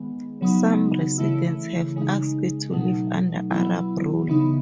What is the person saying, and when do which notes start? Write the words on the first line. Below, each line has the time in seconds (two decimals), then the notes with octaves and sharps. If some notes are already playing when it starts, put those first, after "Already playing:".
Some residents have asked to live under Arab rule.
Already playing: D#3 G#3 B3
0.41 C#3 F#3 B3 D#4
1.18 C#3 E3 A3 E4
1.96 C#3 G#3 D#4
2.73 B2 F#3 A3 D#4
3.50 B2 F#3 B3 E4
4.28 C#3 E3 B3 D#4